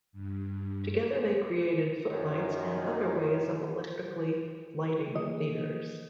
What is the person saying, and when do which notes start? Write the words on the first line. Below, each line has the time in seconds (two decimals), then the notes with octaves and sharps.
Together they created footlights and other ways of electrically lighting theaters.
0.12 G2
2.10 F#2 D#3
5.15 E3 A#3 G#4 D#5